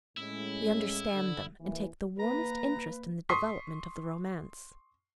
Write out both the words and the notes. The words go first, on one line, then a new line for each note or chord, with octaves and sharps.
We understand them, and take the warmest interest in the development of the romance.
A2 G#3 C#4 E4
D3
D#2 E3
A#3 B4 A#5
C6 C#6 D#6 B6 C7